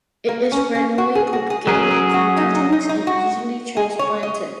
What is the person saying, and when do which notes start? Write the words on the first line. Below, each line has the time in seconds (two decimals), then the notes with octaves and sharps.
It is readily propagated from cuttings and easily transplanted.
0.28 A#3
0.52 C#4
0.75 C#4
0.98 F#4
1.15 G#4
1.33 F#4
1.50 G#4
1.67 F#3 C#4 G#4 A#4
1.91 A#4
2.14 F#4
2.37 D#4
2.55 D#4
2.72 D#4
2.89 D#4
3.07 F#4
3.77 G#4
3.99 C#5
4.23 D#5